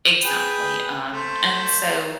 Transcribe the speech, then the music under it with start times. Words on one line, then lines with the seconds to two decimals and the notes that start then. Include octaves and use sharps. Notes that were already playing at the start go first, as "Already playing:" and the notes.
exactly, um, and so,
0.23 G#4 B4 G5
1.12 A3 C5